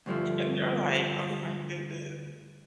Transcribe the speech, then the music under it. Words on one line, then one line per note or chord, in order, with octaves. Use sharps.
And they're like, "Oh my goodness,"
D2 G2 F3 A3